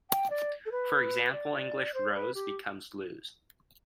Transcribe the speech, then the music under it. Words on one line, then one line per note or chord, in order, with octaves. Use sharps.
For example, English "rose" becomes "lose".
G5
D5
A4
B4
D5
C5
B4
G4